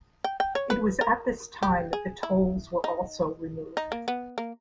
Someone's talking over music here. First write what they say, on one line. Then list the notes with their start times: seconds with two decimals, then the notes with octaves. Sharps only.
It was at this time that the tolls were also removed.
0.24 G5
0.40 G5
0.55 C#5
0.70 B4
1.01 A#4
1.63 G4
1.93 G#4
2.23 E4
2.84 D#4
3.77 D#4
3.92 A#3
4.08 B3
4.38 A#3